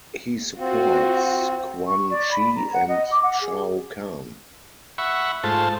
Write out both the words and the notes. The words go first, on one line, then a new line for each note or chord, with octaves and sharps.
He supports Quan Chi and Shao Kahn.
C4 F4 F#4
C#6
D5
B5
A#5
F#5
D#5
D6
F#5
G#4
E5 F#5 B5 C#6
G#2 A3 F4 C5 A5